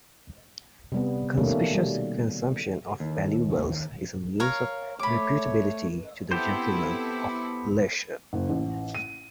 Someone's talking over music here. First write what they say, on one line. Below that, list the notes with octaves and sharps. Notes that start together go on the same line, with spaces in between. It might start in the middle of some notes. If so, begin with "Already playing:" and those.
Conspicuous consumption of valuables is a means of reputability to the gentleman of leisure.
C3 G3 B3
B2 D#3 G3 A3 A#3 C#4
G3
D#2
A#4 C#5 F5
A3 C#5 B5 D6
B3 C4 E4 G4 A4 C5
F#1
A1
D#7